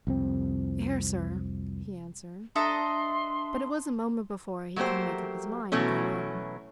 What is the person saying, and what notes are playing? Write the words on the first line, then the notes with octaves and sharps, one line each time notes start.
"Here, sir," he answered; but it was a moment before he could make up his mind to go in.
C2 F2 C4
D4 A4 D#5 E5 A#5 C6
F#3 A3 A#3 G4 C5
B2 E3 F#3 A3 C#4